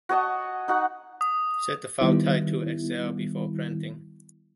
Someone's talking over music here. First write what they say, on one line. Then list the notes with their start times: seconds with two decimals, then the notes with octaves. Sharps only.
Set the file type to Excel before printing.
0.09 F#4 C#5 D#5 A5
0.68 D#4 F#4 F#5
1.21 D#6
2.01 D#3 G3 B3 E4